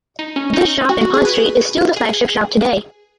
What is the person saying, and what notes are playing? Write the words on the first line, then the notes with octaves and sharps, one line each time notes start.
This shop in Pont Street is still the flagship shop today.
D#4
C#4
D#4
F#4
F#4
G#4
B4
G#4